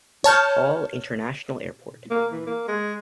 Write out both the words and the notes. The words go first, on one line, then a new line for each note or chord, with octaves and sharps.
Paul International Airport.
C#5 A5 F6 G6
A#3
E3
A#3
G#3